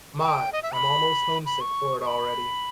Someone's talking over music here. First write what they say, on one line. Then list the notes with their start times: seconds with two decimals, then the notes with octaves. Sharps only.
My, I'm almost homesick for it already.
0.22 G5
0.53 D#5
0.63 E5
0.73 B5
1.46 B5
1.61 C#6
2.00 C#6
2.07 B5